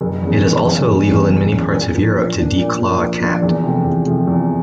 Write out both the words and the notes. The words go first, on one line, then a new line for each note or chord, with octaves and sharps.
It is also illegal in many parts of Europe to declaw a cat.
F#1
E2 C#3
F#1
E2 C#3
F#1
E2 C#3
F#1
E2 C#3
A#2
F3 A#3 D4
A#2
F3 A#3 D4
A#2
F3 A#3 D4
A#2
F3 A#3 D4
E2
C3 F3 A3
E2
C3 F3 A3
E2